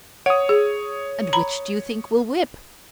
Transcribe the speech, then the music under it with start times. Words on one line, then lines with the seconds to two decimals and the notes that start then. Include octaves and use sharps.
"And which do you think will whip?"
0.26 C#5 F#5 D#6
0.49 G#4
1.33 A#5 B5